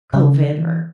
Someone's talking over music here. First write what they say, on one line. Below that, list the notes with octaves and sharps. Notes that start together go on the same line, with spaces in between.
COVID or,
C#3
D3
E3